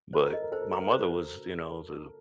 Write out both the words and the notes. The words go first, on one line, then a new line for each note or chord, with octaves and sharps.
but my mother was, you know, the
A4 C5
A#4
A4 D#5
A#4
A4 C5
A#4
A4 A#5
A#4
A4 C5